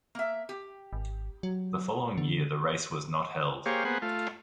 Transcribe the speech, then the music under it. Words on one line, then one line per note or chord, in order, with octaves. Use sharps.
The following year the race was not held.
A#3 E5
G4
G#1
F#3
D3
A#3 G4 G#4 C5 C#5 F5
A#3 B3 G#4 C5 F#5
A3 F4